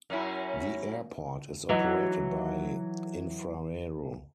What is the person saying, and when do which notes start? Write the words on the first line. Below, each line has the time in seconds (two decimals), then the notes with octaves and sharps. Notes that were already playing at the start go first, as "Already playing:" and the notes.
The airport is operated by Infraero.
0.10 F#2 C#4 E4
1.69 E3 F#3 D#4